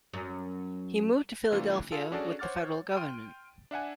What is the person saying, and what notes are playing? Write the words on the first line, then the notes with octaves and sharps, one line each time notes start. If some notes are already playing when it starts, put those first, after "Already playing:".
He moved to Philadelphia with the Federal Government.
F#2
C3 E3 A3 D4 F4
F4 G#4 A4
C#4 D4 F#4 G#4 A4 D5
C5 C#5 F#5 D6 F6 A6
G5 C6 F6 D7 D#7
D4 E5 F#5 G#5